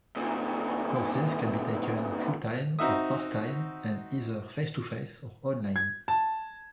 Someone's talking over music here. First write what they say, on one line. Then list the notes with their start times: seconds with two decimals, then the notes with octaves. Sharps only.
Courses can be taken full-time or part-time and either face-to-face or online.
0.16 D2 A#2
2.79 C4 D#4 F#4 E5 D#6
5.76 G#6
6.08 A5